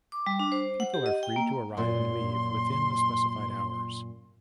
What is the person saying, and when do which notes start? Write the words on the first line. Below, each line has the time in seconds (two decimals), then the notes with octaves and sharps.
People are free to arrive and leave within the specified hours.
0.12 D6
0.26 G3
0.39 D4
0.52 C5
0.80 F#5
0.94 G4
1.06 D#5
1.23 G5
1.36 A#3
1.77 F#2 A#2 C6